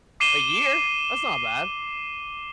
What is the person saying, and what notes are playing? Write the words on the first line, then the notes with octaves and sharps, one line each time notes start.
a year. That's not bad.
D6 C7 D#7 E7 G7